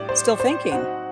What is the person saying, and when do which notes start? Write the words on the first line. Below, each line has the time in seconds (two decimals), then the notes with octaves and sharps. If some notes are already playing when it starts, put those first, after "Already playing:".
still thinking.
Already playing: A2 G3 D4 G4 D5
0.09 C5
0.40 C5
0.71 F#3 C4 D#4 F#4 F#5